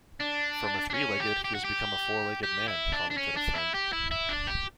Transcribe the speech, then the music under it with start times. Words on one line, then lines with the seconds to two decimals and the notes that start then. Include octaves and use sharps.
"From a three-legged, he has become a four-legged man" commented a friend.
0.21 D4
0.90 D4
0.94 C#4
1.20 G4
1.44 G4
1.55 F#4
1.64 G4
2.43 G4
2.68 E4
2.92 D4
3.10 D4
3.17 C#4
3.36 D4
3.54 E4
3.74 G4
3.93 E4
4.11 E4
4.29 D4
4.47 G4